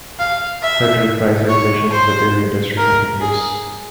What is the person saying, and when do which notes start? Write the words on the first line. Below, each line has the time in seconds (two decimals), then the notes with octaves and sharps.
Federal price regulation in the dairy industry continues.
0.19 F5
0.62 E5
1.49 C#5
1.91 C5
2.77 A#4
3.21 G#4